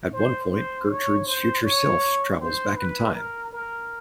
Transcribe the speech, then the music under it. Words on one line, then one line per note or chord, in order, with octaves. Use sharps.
At one point, Gertrude's future self travels back in time.
C5
C5
C#5
C5
C#5
C5
B4
A#4
A#4